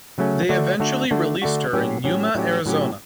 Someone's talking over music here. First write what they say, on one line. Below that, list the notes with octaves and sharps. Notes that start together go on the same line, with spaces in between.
They eventually released her in Yuma, Arizona.
C#3 F#3 A3 C#4
D3 A3 D4 F#4
D3 A3 D4 F#4
D3 A3 D4 F#4
D3 A3 D4 F#4
A2 F#3 C#4 G4
A2 F#3 C#4 G4
A2 F#3 C#4 G4
A2 F#3 C#4 G4